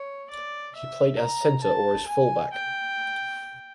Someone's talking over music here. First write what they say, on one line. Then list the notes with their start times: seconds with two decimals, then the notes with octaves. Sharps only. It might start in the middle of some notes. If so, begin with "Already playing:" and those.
He played as centre or as fullback.
Already playing: C#5
0.30 D5
0.75 E5
1.19 A#5
1.64 A5
2.08 G#5
2.52 G5